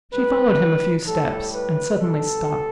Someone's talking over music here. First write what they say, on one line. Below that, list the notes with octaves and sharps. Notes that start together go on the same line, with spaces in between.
She followed him a few steps, and suddenly stopped.
A2 G3 B4
A2 G3 A4
B4
B2 G3 A4